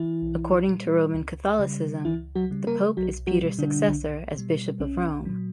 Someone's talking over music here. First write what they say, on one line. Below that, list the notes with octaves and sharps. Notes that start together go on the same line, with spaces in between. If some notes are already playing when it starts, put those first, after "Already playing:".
According to Roman Catholicism, the pope is Peter's successor as Bishop of Rome.
Already playing: E3 E4
B1
A#2 G3
C#2
C#3 G3
C#2 E3 E4
F#3 F#4
C#3 G3
A#3 A#4
B1 F#3 F#4
F#3 F#4
B2 G3
D3 D4
B1
B2 G3
B1 C#4
A#2 F#3